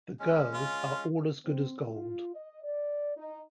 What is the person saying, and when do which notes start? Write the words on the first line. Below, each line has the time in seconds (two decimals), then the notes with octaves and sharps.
The girls are all as good as gold.
0.19 G#3 C#4
0.54 F4
1.45 C4
1.90 F4
2.34 D#5
2.63 D5
3.17 D#4